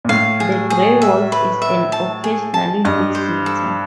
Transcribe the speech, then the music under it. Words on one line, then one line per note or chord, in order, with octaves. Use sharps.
The gray wolf is an occasional visitor.
A#2
A2 F5
G#4
G#4
E5
B4
E5
A5
G#4
A5
G2 D#5
C5
A4